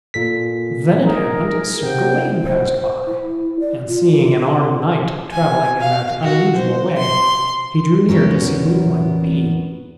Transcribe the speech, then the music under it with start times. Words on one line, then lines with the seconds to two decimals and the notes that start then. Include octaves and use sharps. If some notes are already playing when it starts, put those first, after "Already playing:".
Then it happened Sir Gawain passed by and seeing an armed knight travelling in that unusual way he drew near to see who it might be.
0.14 A#2 A4 B6
1.05 D#4 G#4 A#4
1.83 C3 C5 F#5 G5
2.44 C5
3.06 E4
3.60 D5
3.88 F4
5.32 G#5
5.80 F5
6.23 F#4
6.57 C5
6.98 C6
8.09 E2 B3 C#4 A#4